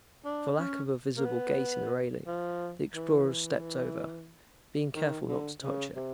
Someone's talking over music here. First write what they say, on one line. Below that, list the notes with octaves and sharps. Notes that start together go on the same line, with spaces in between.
For lack of a visible gate in the railing, the explorers stepped over, being careful not to touch it.
D4
C#4
A#3
B3
F3
E3
D#3
D3
C#3
C3